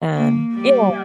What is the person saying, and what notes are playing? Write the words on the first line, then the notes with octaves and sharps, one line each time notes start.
Um, yeah.
A#3
G3